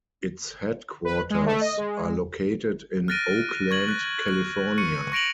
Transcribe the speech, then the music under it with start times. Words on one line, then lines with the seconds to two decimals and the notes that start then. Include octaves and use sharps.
Its headquarters are located in Oakland, California.
1.05 B4
1.30 G#3
1.46 A3
1.61 D#5
1.77 G#3
3.08 F6 F#6 A6 A#6 D7 D#7
3.71 C#6 G#6 F#7
3.89 F#6 A#6
4.28 F#6
4.78 C#6 C#7 D#7
5.12 C#6 A#6 D7 F7 F#7